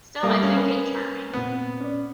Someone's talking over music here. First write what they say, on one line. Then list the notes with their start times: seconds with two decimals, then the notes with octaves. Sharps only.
Still I think it charming.
0.23 G3 A3 A#3 F5 D#6
0.43 C#4
0.57 A#4 B4
1.33 A#2 B3 C4
1.80 C#4 D5